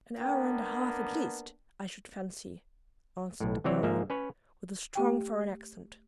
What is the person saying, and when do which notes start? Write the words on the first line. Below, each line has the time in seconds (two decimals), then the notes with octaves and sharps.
"An hour and a half at least, I should fancy," answered the boy, with a strong foreign accent.
0.16 A#3 B3 D4 G5
3.40 B1 A2
3.64 C3 E3 F#3 C4 C#5 D5
3.83 G#2 F3 A#3 E5
4.10 C#4 B4 C#5
4.95 A3 G4 G5